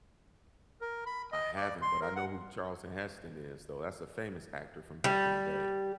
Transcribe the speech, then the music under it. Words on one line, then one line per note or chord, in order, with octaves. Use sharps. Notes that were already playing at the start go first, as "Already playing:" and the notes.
I haven't, but I know who Charleston Heston is, though. That's a famous actor from back in the day.
A#4
B5
D#5
D5
C6
A#4
F#5
G3